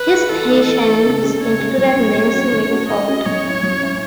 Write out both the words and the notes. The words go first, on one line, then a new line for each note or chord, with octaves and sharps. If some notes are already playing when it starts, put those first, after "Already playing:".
His patients included Nancy Mitford.
Already playing: B4
D#4 G#4
E3 A4
A3 D#4
E3
A3 D#4
C#3
G#3 C#4 G#4
C#3 C#5
G#3 C#4 G#4
F#3 C#5
C#4 F#4
F#3
C#4 F#4
D#3
A3 C#4 F#4
D#3 D#5
A3 C#4 F#4
F#3 C#5
C#4 E4
F#3
C#4 E4